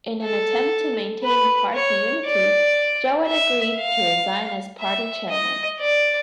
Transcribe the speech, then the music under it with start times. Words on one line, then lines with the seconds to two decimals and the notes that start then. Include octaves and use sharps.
In an attempt to maintain party unity, Jowett agreed to resign as party Chairman.
0.23 A4
1.23 B4
1.74 C#5
2.26 D5
3.27 E5
3.77 F5
4.79 E5
5.29 D#5
5.80 D5